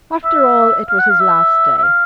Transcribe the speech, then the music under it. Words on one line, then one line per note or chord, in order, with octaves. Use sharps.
After all it was his last day.
E5
F5
F#5
F5
E5
E5
F5